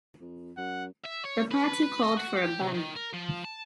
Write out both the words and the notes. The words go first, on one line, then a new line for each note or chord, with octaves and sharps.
The party called for a ban.
F2
F#2 F#5
E5
C#5
B4
B4
D#5
F#4
G4
C3
D#3
A#4
F3
A5